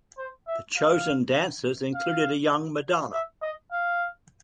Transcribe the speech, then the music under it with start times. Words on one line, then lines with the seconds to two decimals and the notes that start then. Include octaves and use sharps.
The chosen dancers included a young Madonna.
0.18 C5
0.48 E5
0.78 F5
1.95 F5
3.13 E5
3.42 D#5
3.72 F5